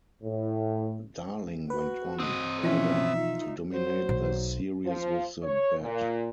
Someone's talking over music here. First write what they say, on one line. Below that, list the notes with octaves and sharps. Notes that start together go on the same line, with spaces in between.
Darling went on, however, to dominate the series with the bat.
A2
F#4 B4
C4 D#5 D#6
B2 E3 F3 C#4 E5
D#4 F4
F#3 C5
B1
F3
C#5
A#2